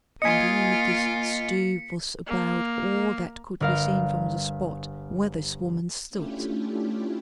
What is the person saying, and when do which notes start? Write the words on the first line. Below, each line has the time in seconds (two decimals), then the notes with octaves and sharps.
Indeed, this stoop was about all that could be seen from the spot where this woman stood.
0.22 A#3 F4 D#5 G#5 B6 C#7
2.26 A#3
3.60 G1 A#4 F5
6.10 A3 C#4 D4 E4 F4 G4